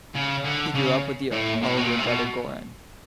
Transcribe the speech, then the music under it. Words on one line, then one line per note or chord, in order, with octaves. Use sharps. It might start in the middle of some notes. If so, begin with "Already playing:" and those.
He grew up with the older brother Goran.
C#3
D3
C#3
A2
A2
B2
A#2
C3
B2